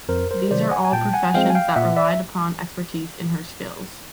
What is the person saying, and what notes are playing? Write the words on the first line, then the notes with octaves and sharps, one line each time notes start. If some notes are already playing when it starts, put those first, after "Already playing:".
These are all professions that relied upon expertise in her skills.
F2 A#4 C5
A#4 C5
C3 D#3 F#3 C5 D5
F#5 G#5
G#5
A#2 G5 A5
F#5 G#5
F3 G#3 C4 F5 G5
G#5
F5 G5
A#2 E5 F#5
D5 E5